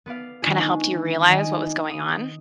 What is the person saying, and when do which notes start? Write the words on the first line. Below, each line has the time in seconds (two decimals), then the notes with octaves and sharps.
kinda helped you realize what was going on?
0.06 B3 B4 D5 F5
0.42 D#3 G#3 C#4 D4 F4 G#4
1.29 D#3 D5 D#5 G#5
1.91 D#6